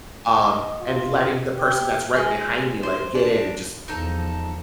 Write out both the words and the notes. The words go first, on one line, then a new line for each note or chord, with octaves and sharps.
Um, and letting the person that's right behind me like get in and just
D#5
F4
G4
G#3
C5
D4
E2 F3 D#4 A4